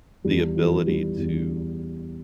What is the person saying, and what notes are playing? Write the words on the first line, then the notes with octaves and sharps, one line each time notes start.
the ability to
E2 E3 G3
E3
G3
E2 E3